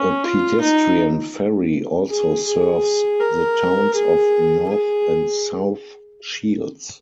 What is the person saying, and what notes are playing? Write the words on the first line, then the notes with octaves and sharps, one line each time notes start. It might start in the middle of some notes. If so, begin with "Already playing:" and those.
A pedestrian ferry also serves the towns of North and South Shields.
Already playing: C#4
F4
D#4
G#4
G#4
A#4
G#4
G#4